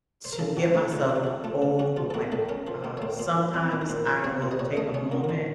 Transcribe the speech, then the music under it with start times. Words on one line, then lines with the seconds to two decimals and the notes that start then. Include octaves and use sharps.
to get myself overwhelmed. Uh, sometimes I will take a moment,
0.25 C5
0.33 A#4
0.39 C#3 A4
0.57 F3 F#4
0.74 A3 F4
0.92 C#3 F4
1.09 C#3 F#4
1.16 F4
1.24 F3 F#4
1.44 A3 F4
1.62 C#3
1.79 C#4 F#4
1.97 F3 F4
2.10 A4
2.14 A#3 F#4
2.32 A2 A4
2.49 C#4 A#4
2.67 F3 C5
2.84 A#3 C5
2.97 C#5
3.02 A2 C5
3.19 A#2 C5
3.37 F3
3.54 C4 C5
3.72 A#2
3.82 A#4
3.89 A#2 C5
4.07 F3
4.24 C4 C#5
4.42 A#2
4.51 D#5
4.59 A#2 C#5
4.77 A3 D#5
4.94 C#4 C#5
5.12 A#2 A#4
5.24 A#4
5.29 A#2 C5